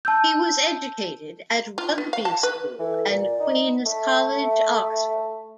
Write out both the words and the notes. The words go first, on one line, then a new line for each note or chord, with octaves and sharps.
He was educated at Rugby School and Queen's College, Oxford.
A5 E6 G6
F4
B3
F5
A5
B4
E3 A4
A#2 D5
D#4
A3 E5